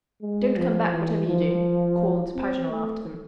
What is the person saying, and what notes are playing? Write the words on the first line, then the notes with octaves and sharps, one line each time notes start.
"Don't come back whatever you do," called Paganel after them.
G#3
F3
E3
F3
C4
A3